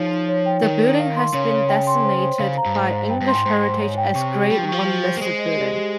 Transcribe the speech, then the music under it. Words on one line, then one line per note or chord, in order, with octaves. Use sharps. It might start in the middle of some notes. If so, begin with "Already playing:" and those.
The building has been designated by English Heritage as a Grade One listed building.
Already playing: F3 D#4 G#4 C#5
D#4
C#5
G5
D#3 A#4
A#4
F5
C6
C#3 C#5
C#5
G5
C6
C5
C5
C#3 F5
A#5
G2
G#2 C5
C5
G2 G5
G2
C6
G#2
G#2 C5
C5
C#5
G5
C3 C#6
G4
G3 G5
F3
D#3
F3 C#6
C5
C5
A#3
G#3 C5
D#5
G4
G4